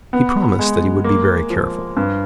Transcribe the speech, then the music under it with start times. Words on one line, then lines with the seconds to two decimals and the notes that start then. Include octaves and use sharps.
He promised that he would be very careful.
0.13 B3
0.59 G#3
1.04 A#3
1.50 F3
1.97 G2